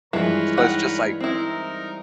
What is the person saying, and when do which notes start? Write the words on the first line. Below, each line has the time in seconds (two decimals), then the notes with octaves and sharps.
So, it's just, like
0.13 G2 E3 F3 G#3 A#4 B4 C#5
0.57 D#4 F#5
1.20 C4 D#4 E4 A#4